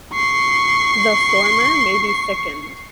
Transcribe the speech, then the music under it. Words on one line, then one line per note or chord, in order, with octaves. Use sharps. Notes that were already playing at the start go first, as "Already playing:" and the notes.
The former may be thickened.
C#6 C7